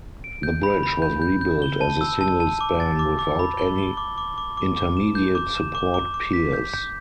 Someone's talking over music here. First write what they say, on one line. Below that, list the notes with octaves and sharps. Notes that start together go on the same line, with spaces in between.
The bridge was rebuilt as a single span without any intermediate support piers.
D7
G6
B5
B5
G6
G6
G6
G7
A5
E6
A5
A5
D6
A6
D6
D6
B5
G7
G7
D6
D6
D6
D6
D6
E7
G6
D6
E7
D6
D6
D6
B6
G6
G6